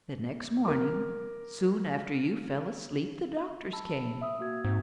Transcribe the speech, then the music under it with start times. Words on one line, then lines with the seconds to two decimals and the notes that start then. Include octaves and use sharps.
The next morning, soon after you fell asleep, the doctors came.
0.65 A#4 D6
3.73 A5 B5 E6
4.21 E5 D#6 E6
4.39 A#3 F#4 G#6
4.64 G#2 C4